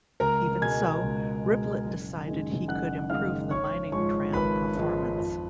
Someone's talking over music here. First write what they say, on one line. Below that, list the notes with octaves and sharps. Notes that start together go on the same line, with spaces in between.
Even so, Riblet decided he could improve the mining tram performance.
C#2 A#4 A#5
B2 G#3 G#5 G#6
C#2
B2 G#3
F#1
F#2 D#3 G#3
F#1 F#5 F#6
F#2 D#3 G#3 F5 F6
G#1 C#5 C#6
G#2 F3 G#3 C#5 C#6
G#1 B4 B5
G#2 F3 G#3
F2